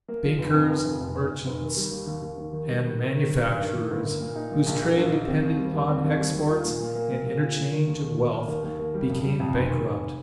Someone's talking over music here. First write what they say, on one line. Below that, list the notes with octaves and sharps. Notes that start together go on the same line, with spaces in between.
Bankers, merchants, and manufacturers, whose trade depended on exports and interchange of wealth, became bankrupt.
A#3
F3
F1
F2
F1
F2
F1
F1
F1
F1
D#3
G3
D#2
D#2
D#2
D#2
D#3
G3
D#3
D#3
D#3
D#3
G2
D#3
D#3
G1
A#3
A#2
D#4
A#2
A#1
A#3
A#1
D#4
C4
D#2
G3
D#2
C4
D#2
G3
D#2
F4
A#2
A#2
A#3
A#3
A#2
F4
A#3
D#3
D#2
D#3
A#3
A#3
D#2
D#2
A#3
G3
F2
G3
F2
F1
D#3
F1